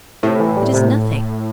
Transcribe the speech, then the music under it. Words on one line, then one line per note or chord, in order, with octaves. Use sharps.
"It is nothing."
A2 C3
E3
G3
C3